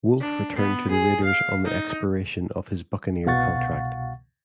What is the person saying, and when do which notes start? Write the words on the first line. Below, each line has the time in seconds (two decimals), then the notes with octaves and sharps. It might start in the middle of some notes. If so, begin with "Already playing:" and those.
Wolf returned to the Raiders on the expiration of his Buccaneer contract.
0.20 D4
0.56 B3
0.91 G#4
1.24 F5
1.65 D#4
3.26 C2 B2 F5 F#5 C#6 A6